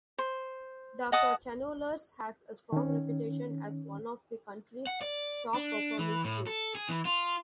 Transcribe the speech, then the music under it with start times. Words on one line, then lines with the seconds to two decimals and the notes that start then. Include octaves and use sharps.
Doctor Challoner's has a strong reputation as one of the country's top performing schools.
0.19 C5
1.12 D#5 F#5 A5 D#6
2.72 D#3 C#4
4.87 F#5
5.01 D5
5.54 D4
5.99 E3
6.24 A2
6.47 A4
6.75 G#4
6.89 E3
7.05 F4